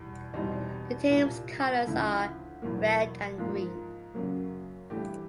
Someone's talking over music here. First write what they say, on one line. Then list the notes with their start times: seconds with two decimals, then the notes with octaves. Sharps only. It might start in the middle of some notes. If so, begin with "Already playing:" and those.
The team's colours are red and green.
Already playing: E2 B2 G3
0.34 E2 B2 G3 C4 D#4
1.10 C2 A#2 G3
1.86 D2 C#3 F3 A3 E4
2.62 E2 B2 F#3 A#3
3.38 G#2 F3 A#3 F4
4.14 F#2 C#3 F#3 A#3
4.90 G2 E3 A3 G4